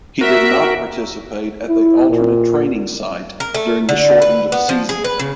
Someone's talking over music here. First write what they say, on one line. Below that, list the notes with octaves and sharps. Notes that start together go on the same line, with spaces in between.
He did not participate at the alternate training site during the shortened season.
F#4 A#4 E5
E4
A#2
A#4
A3
D3
B4
B3
F3
G#4
B4
C#3